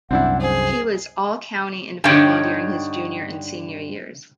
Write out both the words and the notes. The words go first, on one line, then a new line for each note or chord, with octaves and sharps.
He was All-County in football during his junior and senior years.
C2 F#2 C4 D4 E4 F#5
G#4 C5
G2 D3 D#4 C#5 G5